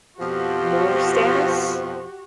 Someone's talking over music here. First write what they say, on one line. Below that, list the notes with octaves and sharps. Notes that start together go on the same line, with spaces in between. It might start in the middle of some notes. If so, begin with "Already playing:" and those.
more status.
F2 B2 F3 F#4 G4